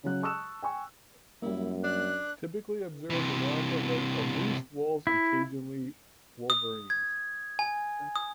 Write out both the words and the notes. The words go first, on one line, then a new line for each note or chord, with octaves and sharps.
Typically observed around the lake are moose, wolves, and occasionally wolverines.
C#3 F#3 F#6
A5 C#6 D#6 E6 F#6 E7
G5 G#5 C#6
F#2 G3 A#3 E4
D4 F#6
C3 E3
E4
D#6
G#6
G#5
D#6